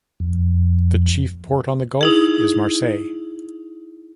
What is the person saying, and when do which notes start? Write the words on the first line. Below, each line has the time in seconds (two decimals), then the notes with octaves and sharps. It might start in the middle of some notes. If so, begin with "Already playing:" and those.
The chief port on the gulf is Marseille.
0.20 F2
2.01 D#4 E4 G#4